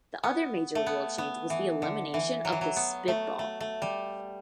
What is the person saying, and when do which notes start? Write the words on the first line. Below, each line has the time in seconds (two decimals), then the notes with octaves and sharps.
The other major rule change was the elimination of the spitball.
0.24 B3
0.75 A3
0.86 B3
1.18 B3
1.50 E3
1.82 D3
2.14 E3
2.45 F#3
2.52 E3
2.61 F#3
2.76 B3
3.08 A3
3.39 A3
3.61 A3
3.82 G3